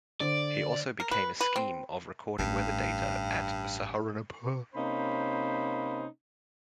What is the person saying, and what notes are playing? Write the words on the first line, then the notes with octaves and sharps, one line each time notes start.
He also began a scheme of recording weather data at Saharanpur.
D3 C5 D5
A#4
B4
B4
C4
A1 G2
C3 A#3 C#4 D#4 C5 B5